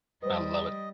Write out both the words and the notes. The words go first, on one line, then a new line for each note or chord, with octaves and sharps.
I love it.
G3 B4 C5 D#5